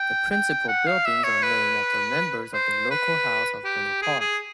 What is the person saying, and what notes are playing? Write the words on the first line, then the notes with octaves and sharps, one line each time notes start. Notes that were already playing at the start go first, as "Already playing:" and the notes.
The principal buildings are named after members of the local House of Bonaparte.
Already playing: G5
G5
F#5
F5
E5
C#5
B4
C5
B4
G4
G#4
G#4